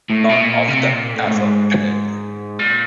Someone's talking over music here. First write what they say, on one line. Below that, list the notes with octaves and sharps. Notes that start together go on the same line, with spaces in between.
None of them ever pay.
A2
B2
A#2
C#3
C3
A#2
A2
A2
G#2
A#2